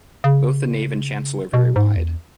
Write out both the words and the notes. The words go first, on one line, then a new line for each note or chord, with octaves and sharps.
Both the nave and chancel are very wide.
C#3
B2
G#2
E2